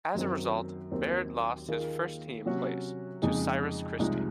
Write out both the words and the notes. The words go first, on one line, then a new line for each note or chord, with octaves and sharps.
As a result, Baird lost his first team place to Cyrus Christie.
F#2 D#3 F#3 C4
D#2 D#3 F#3 C4
D#3 A#3 F4 G#4
C3 F#3 C#4 F#4
F2 C#3 G#3 D#4 G#4
C2 C3 F3 G#3 D#4